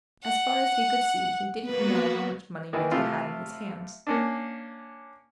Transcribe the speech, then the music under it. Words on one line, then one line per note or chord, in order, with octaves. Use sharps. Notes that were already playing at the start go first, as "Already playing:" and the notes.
As far as he could see he "didn't know" how much money Mitya had in his hands.
F#5
A#3 B3 F#4 B4
D#3 E3
C3 A3 E4 F4
A#3 C#4 D4